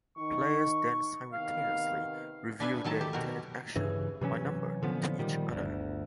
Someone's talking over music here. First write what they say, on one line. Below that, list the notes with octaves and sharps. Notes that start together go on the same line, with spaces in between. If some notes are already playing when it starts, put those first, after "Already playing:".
Players then simultaneously reveal their intended action, by number, to each other.
D#3 D#4 C#6
C3 D#3 B3 F5
D4 B4 E5 G#5
D#3 F#3 A4 A5
G4
B2 F#4 A#4
G2 C#3 E3
C3 E3 F#3 C#4
A#2 D3 F3 B3
A#2 D#3 G3
G1 D2